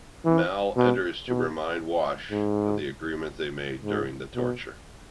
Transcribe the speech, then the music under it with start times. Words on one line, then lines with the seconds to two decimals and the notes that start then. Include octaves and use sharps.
Mal enters to remind Wash of the agreement they made during the torture.
0.25 E3
0.77 B2
1.28 B2
2.30 G#2
3.85 G#2
4.36 B2